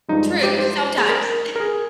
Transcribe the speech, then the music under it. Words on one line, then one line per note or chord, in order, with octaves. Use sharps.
True, sometimes.
G2 F3 G#3 D#4
G4
C5
G#4
A#4
A#4
G#4